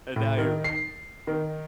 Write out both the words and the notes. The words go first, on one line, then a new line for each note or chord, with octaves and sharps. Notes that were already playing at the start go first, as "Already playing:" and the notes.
and now you're
A2
D#3
C7
D#3